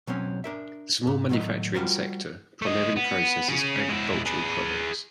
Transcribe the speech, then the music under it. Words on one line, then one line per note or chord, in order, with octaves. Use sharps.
The small manufacturing sector primarily processes agricultural products.
B1 F#3 C4 C#4
D4 A#4 E5
G#2
A2 D#3 F#3 A3 D#5
G3 F4 F#4 A#4 C5
A3 D#5
B3
C#4 G#4
G#3 E4
G#4 B4